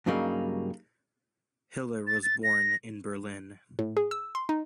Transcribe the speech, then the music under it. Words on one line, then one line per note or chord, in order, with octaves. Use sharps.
Hiller was born in Berlin.
G2 C#3 F#3 G3 A#3 D#4
A6
A6
A#6
A2
G#4
E6
C6
D#4